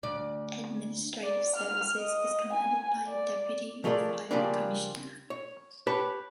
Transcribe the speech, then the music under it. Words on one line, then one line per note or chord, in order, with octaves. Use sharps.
Administrative Services is commanded by a Deputy Fire Commissioner.
D2 D5
D5
F6
D#5
G#5
D5
F3 A3 G#4 A#4 D5
C#3 F3 G3 A#3 D4
C#5
G4 B4 C#5 A5